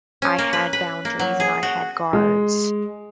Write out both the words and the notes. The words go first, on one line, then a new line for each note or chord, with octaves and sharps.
I had boundaries and I had guards,
C#4
A#3
B4
B4
A#3
F#3
G#4
F#4
G#3